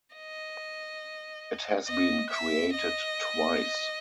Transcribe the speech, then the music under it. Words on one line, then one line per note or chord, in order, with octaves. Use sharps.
It has been created twice.
D#5
D#5
E5
D#5